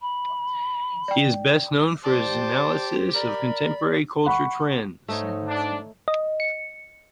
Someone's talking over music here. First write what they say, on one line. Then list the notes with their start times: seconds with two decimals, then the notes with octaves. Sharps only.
He is best known for his analysis of contemporary cultural trends.
0.01 B5
1.08 D5 G5
2.04 G4 C5 D5 A5 D6
3.15 A#4 D5 B5
4.26 F#5 B5 C#6
5.08 G#2 A3 D#4 C#5
5.48 D4
6.08 D#5
6.40 C#7